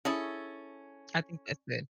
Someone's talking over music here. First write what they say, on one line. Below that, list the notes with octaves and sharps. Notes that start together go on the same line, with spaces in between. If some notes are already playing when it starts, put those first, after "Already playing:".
I think that's good.
C#4 E4 G#4 A4